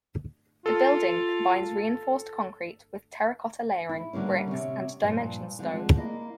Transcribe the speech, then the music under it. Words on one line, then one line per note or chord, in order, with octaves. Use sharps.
The building combines reinforced concrete with terracotta layering, bricks, and dimension stone.
F4 A4
E4
D3 G3 A#3 C#4
C3 C#4
G2 A#2 F3
D3 F3 G#3 C4
A#3 E4 D#5